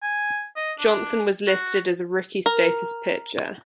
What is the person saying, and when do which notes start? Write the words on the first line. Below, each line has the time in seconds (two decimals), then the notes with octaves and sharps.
Johnson was listed as a rookie status pitcher.
0.03 G#5
0.56 D#5
0.79 D4
1.47 F#4
2.46 A#4